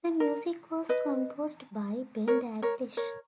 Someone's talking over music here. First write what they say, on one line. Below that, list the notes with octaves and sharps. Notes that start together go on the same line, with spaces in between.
The music was composed by Ben Daglish.
A#4
B4 D#5
A#4 C#5
A#4 C#5
A#4 C#5